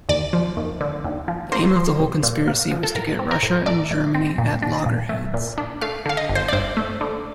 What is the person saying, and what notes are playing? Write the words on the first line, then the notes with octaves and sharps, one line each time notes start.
The aim of the whole conspiracy was to get Russia and Germany at loggerheads.
D#2 D5
F3
D#2
D3
D#2
F3
A#3 C5
F3
C2
A#2
A#3
F3
A4
A2 A#4
C4
A#4
A2
A3 D5
A2
C4
A#2
D4
A#2
A3
A#2
D4
A3 F5
D3 F5
D#5
G1
C5
D5
G2 C5
A3
D3